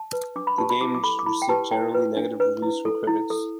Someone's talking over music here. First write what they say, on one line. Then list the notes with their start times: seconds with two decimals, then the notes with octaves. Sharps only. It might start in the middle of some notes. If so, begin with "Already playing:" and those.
The game received generally negative reviews from critics.
Already playing: A5
0.13 B4
0.36 D4 D6
0.47 B5
0.58 G4 B4 A5
0.70 B5
0.81 E4 D6
0.95 D6
1.03 A4 B5
1.19 D6
1.26 E4 B5
1.42 G5
1.49 G4 B4 A5
1.71 E4 G5
1.95 B4
2.17 D4
2.40 B4
2.62 E4
2.85 A4
3.07 E4
3.30 A4